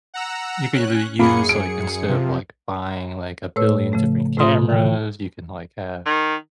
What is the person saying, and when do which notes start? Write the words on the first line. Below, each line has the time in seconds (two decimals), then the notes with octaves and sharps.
You can either use like, instead of, like, buying, like, a billion different cameras, you can, like, have
0.14 F#5 A#5 E6
0.73 C#4 F#6
1.19 F#2 A#3 G#4 B5 C#7
1.49 D7
2.09 C3 F3
3.56 A2 A3 B4 C#5 E6
3.93 C#3 F3 A3
4.37 A2 C3 A3 F4 C6 D#6
4.69 D3 E3 G5
6.06 D#3